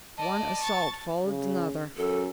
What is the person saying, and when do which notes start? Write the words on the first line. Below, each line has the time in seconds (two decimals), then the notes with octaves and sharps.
One assault followed another.
0.18 D5 D#5 A5
0.63 C#6 A6
1.25 C#3
1.97 F#2 A4